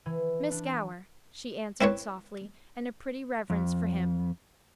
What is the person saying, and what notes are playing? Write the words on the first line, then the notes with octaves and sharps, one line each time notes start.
"Miss Gower," she answered, softly, in a pretty reverence for him.
E3
D4
C4 E4 B4 C#5
F2